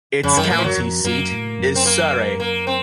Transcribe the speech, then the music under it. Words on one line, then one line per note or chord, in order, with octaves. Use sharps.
Its county seat is Surry.
F2 C#3
F#2 D#3
A2 A#3
F3
F#2 F#3
F2
F#2 A#3
A2
F#2
C4
A#3
A#3
C4